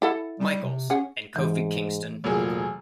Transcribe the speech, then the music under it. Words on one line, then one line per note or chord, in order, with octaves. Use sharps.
Michaels, and Kofi Kingston.
E4 A4 F#5
G3
C3
C#4 G#4 F#5
G#2 E3
F1 A#2 F#3 G#4